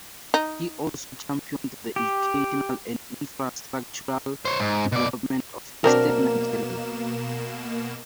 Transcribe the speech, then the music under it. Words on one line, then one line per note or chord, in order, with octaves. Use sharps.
He also championed the educational and infrastructural development of Eastern Nigeria.
D#4
G4
C5 C#5
G#2
B2 D5
B2 F#3 A#3 C4 D4 A#4 E7